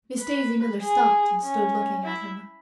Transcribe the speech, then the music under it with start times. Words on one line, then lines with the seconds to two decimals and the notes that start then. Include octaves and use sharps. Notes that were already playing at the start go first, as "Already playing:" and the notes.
Miss Daisy Miller stopped and stood looking at him.
0.20 B4
0.82 G#4
1.43 C#4
2.04 E4